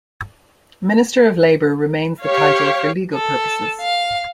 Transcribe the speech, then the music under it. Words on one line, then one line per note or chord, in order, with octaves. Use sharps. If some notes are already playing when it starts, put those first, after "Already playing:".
"Minister of Labour" remains the title for legal purposes.
G4 C#5 F5
A4
F5